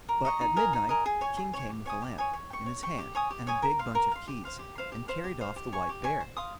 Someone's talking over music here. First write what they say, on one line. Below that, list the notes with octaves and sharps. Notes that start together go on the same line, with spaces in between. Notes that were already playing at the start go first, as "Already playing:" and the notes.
But at midnight the king came with a lamp in his hand and a big bunch of keys, and carried off the white bear.
A#4
D#5 A#5 C#6
D#4
A#4 D#5 G#5
D#4
A#4 D#5 G#5
G#4
C#5 G#5 C#6
G#4
C#5 G#5 C#6
G4
C#5 G#5 D#6
G4
C#5 G#5 D#6
C#5
G5 C#6
C#5
G5 C#6
G4
C#5 G#5 D#6
G4
C#5 G#5 D#6
A#4
F5 C6
A#4
F5 C6
G4
C5 F5 C6
G4
C5 F5 C6
G4
C5 F5
G4
C5 F5
G4
C#5 G#5 C#6
G4
C#5 G#5 C#6
C5
F5 C6 D#6